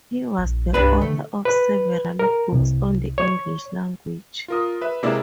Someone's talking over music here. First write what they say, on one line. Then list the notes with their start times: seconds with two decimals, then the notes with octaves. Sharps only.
He was the author of several books on the English language.
0.38 A#1
0.74 C2 G2 D4 B4
1.01 D3 A3
1.45 B4
2.19 A#4
2.52 C2
3.18 C#5
4.48 F4 A#4 D#6
4.81 B4 E5
5.03 C3 G#3 A#3 E4 D5 E6